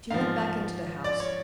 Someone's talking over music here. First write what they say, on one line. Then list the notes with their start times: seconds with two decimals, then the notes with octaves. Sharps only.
She went back into the house.
0.11 G#2 F3 F5
1.04 D5
1.20 C#5